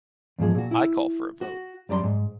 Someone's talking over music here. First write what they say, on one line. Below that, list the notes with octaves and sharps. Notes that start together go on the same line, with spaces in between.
I call for a vote.
E2 G#2 F3 G#4
A#2 F#4
E4
F#4
F#2 G3 D5 A#5 C6
G#2